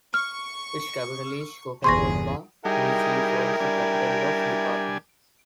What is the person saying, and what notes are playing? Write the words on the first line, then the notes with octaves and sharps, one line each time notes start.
Its capital is Cochabamba which is also the capital of the department.
C#6 F6
G1 E2 G#4 C6 C#6 A#6
G3 D#4 E4 G#4 A#4 G5
G3 D4 G#5